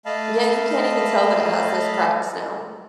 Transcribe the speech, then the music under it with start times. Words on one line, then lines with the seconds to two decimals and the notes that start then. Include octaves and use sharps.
Yeah, you can't even tell that it has those cracks now.
0.06 A3 D#5 F5 A5 B5